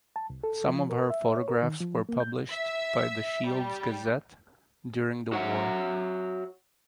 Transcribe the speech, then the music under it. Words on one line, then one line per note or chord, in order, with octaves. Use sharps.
Some of her photographs were published by the Shields Gazette during the war.
A5
C2
A4
F3
A#4
E5
C#5
A#4
D#3
F3
A#3
G6
E5
G3
F#4 C#5 E5 F#5